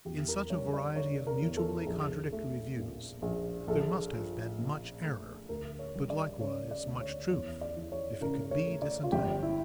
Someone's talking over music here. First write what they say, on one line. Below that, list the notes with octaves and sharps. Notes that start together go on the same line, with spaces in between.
In such a variety of mutually contradictory views there must have been much error, but likewise much truth if it could be disentangled.
E2 G4
A#4
G3 C#5
D5
D3 C#5
A#4
E2
A4
A#1
A3
A#2
A#1
A#1 A4
F3
A#2
A3
D2 A#4
C#5
G3
D5
C#3 C#5
D5
D2
C#5
E2 C#5
D5
E3
C#5
C#3 A#4
C#5
A3
D5
F4
G1 G4
E4